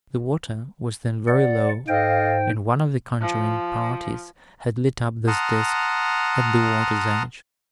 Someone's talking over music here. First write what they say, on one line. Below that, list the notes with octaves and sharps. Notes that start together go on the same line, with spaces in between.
The water was then very low, and one of the conjuring parties had lit up this disk at the water's edge.
D5 F#5
G#2 A4 C5 D#5 F5 G5
F3
F#5 A5 A#5 C6 D#6 F6